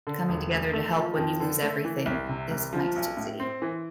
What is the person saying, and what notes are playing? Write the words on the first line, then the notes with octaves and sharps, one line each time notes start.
coming together to help when you lose everything is nice to see.
D3
E1
D2
A3
F3
F2
D3
A3
E3
C2
C3
C2
F3
B1
A2
C4
E3